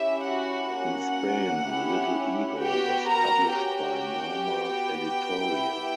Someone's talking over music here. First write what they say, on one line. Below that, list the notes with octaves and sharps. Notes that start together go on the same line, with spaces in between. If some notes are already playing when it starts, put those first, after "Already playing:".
In Spain, Little Ego was published by Norma Editorial.
Already playing: C#4 E4 G4 E5
F#4 F#5
A#3 C#4 F#4
C#4 E4 G4
B3 F#4 G4 G5
A#4 A#5
C#4 F#4 G4 G5
B3 F#4
B3 E4 G4